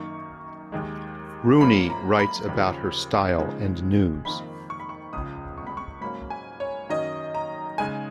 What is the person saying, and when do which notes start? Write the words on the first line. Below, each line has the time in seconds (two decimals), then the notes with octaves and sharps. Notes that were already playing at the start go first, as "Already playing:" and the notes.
Rooney writes about her style and news.
Already playing: F#2 D#3 A#3 D#4 C#6
0.72 D#2 D#3 G#3
1.60 F#2 F3 A#3 C#4 B5
1.90 A#5
2.19 B5
2.49 D#2 C#3 F3
3.38 C#3 F3 G#3 D#4
4.25 F2 D#3 A#3 B5
4.70 C#6
4.80 B5
4.89 C#6
5.13 C#2 C#3 F3 D#6
5.58 C#6
5.67 B5
5.77 C#6
6.01 G#2 F#3 A#3 C#4 B5
6.30 G#5
6.60 C#5
6.89 F#2 D#3 F#3 C#4 D#5
7.35 A#5
7.78 C#3 G#3 D#4 G#5